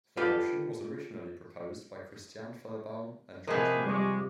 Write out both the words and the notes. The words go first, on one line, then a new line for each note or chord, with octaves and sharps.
The notion was originally proposed by Christiane Fellbaum and George Miller.
F4 G4 A4 B4 D5
C3 F3 G4 G#4 A#4 B4 D#5
G3 G#3 G4 C#6 D6